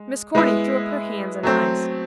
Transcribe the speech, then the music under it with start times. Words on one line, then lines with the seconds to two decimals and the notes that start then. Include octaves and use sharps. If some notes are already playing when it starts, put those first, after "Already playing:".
Miss Corny threw up her hands and eyes.
Already playing: G#3
0.35 G#3 B3 E4
1.43 F#3 A3 C4